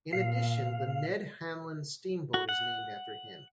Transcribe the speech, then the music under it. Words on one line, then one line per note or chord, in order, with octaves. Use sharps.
In addition, the Ned Hanlan Steamboat is named after him.
A#2 F5
F#4
F#5